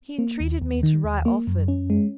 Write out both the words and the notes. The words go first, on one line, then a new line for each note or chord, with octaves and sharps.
He entreated me to write often.
A#3
D#2
D#2
D#3
D#2
A#3
F#2
C#4
G#3